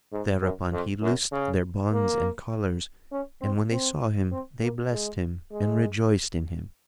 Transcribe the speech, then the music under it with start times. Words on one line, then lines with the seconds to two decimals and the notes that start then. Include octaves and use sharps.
Thereupon he loosed their bonds and collars, and when they saw him, they blessed him and rejoiced In him.
0.12 G#2
0.42 F#2
0.72 F2
1.02 F#2
1.32 C#3
1.92 A#3
3.12 C#4
3.41 C4
3.71 C4
4.32 C4
4.61 A#3
4.92 G#3
5.51 G#3